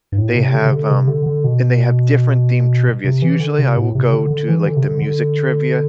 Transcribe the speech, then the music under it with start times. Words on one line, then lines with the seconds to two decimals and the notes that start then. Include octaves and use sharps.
They have, um and they have different themed trivias. Usually, I will go to, like, the music trivia.
0.12 G2
0.18 A2
0.36 C3
0.54 D3
0.65 C3
0.72 D3
0.90 C3
1.08 D3
1.26 D3
1.44 B2
3.04 C3
3.22 E3
3.40 D3
3.58 C3
3.77 A2
3.95 C3
4.13 D3
4.30 D3
4.48 E3
4.66 D3
4.77 C3
4.83 D3
5.02 D3